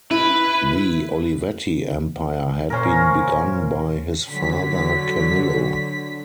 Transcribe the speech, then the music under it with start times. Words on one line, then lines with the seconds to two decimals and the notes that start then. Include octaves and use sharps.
The Olivetti empire had been begun by his father Camillo.
0.11 E4 B4
2.70 A#2 C#4 A#4 C5
4.29 D3 F#3 B6